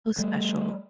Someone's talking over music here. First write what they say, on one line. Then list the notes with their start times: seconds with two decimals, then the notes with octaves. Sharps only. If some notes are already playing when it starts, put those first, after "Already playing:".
How special.
0.18 G3 A3